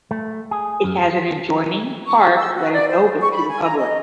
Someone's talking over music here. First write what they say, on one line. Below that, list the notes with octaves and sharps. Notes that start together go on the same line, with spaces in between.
It has an adjoining park that is open to the public.
A3
G#4
F#2
C#6
E6
F#4
D5
C5
C#6
B5
G#5
A#5
D#5